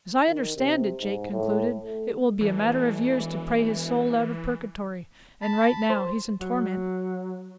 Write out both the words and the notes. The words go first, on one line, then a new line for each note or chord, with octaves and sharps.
"As I understand it," Jake concluded, "it will be a matter of years to pray his soul out of Purgatory, and right now he's in torment."
D#3
C3
G#2
A2
A3
A1 E3
E1
A5 B5
C5
F#3